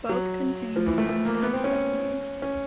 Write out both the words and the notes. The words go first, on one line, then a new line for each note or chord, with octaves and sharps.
Both contain numerous type specimens.
F#3
F3
E3
A3
A3
A#3
B3
C4
C#4
C#4